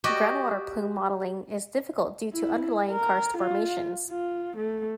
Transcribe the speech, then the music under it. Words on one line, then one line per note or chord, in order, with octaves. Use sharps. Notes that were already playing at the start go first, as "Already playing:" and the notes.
Groundwater plume modeling is difficult due to underlying karst formations.
F#4 G4 D5 D#5
E4
A#4
F4
F4
A3